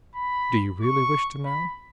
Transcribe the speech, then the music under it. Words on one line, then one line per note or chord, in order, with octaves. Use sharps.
"Do you really wish to know?"
B5
C#6
B5